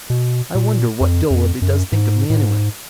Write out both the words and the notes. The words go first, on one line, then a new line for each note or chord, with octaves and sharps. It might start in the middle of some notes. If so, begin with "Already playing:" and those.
I wonder what Dilworthy does think of me anyway?
B2
A#2
F2
F2
F#2
G#2
A2
G#2